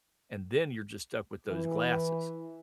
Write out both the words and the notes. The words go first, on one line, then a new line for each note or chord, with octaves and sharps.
And then you're just stuck with those glasses
E3